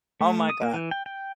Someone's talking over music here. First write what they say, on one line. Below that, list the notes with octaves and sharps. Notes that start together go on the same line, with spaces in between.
oh my god.
A3
D#6
A#3
E3
G5
G5